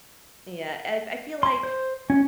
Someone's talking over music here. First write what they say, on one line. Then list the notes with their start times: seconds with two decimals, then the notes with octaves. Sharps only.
Yeah, I I feel like
1.43 C6
1.63 C5
2.10 C#4